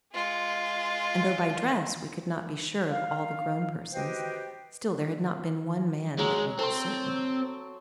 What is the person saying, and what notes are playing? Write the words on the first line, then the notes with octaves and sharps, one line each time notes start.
And though by dress we could not be sure of all the grown persons, still there had not been one man that we were certain of.
G#3 F4
F5
F#4 G4 B4 C5 D#5 G5
F#3 G#3
C4 A4 C6